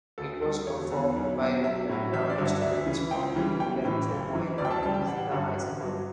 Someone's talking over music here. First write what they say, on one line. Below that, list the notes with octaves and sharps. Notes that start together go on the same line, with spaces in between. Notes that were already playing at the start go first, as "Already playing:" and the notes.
It was performed by local drama students from Rancho Buena Vista High School.
D2 A4
D3 G3 A4
E1 C#5
E2 D3
B1
B2 F#3
B1 E5
A2 F#3
A1 E5
D5
G2 D3 F#3
E5
D2 E5
C#3 E3
C#2 G5
C#3 E3 G3
B1 G5
A2 E3
F#1
F#2 E3
D2 D5
G5
A5
C#3 G3 A5
G5
A1 F#5
G2 D3 F#3
A1
G2 F#3